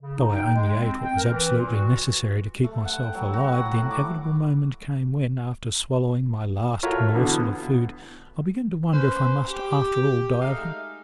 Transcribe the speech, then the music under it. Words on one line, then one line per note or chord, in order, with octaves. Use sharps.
Though I only ate what was absolutely necessary to keep myself alive, the inevitable moment came when, after swallowing my last morsel of food, I began to wonder if I must after all die of hunger.
C#3
D#4
G5
G#3
C4
G5
A#4
E3
A#2
F#4
A3
F#5
G5
F#3
F#4
F#5
A2
D6
F4 F#4 A4 A#4 C#5 E5
B2 D3 E3
B3
C#4 B4 C5
G4
G#3 A3 D#4 E5 F5